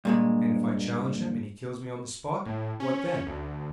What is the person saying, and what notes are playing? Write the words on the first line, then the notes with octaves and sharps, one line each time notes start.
And if I challenge him and he kills me on the spot, what then?
G2 A#2 G#3
A2
C#4
D2